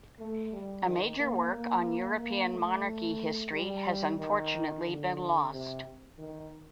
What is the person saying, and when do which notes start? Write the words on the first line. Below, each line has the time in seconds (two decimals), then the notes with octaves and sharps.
A major work on European monarchy history has unfortunately been lost.
0.19 A3
0.53 G3
0.86 D#3
1.19 A#3
1.52 A#3
2.19 A#3
2.52 A3
3.52 G3
4.19 D#3
4.85 D3
5.52 C3
6.18 D#3